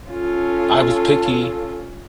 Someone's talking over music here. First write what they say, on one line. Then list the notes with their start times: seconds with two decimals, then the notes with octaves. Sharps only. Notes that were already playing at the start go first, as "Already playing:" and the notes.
I was picky,
0.11 C#4 F4 A4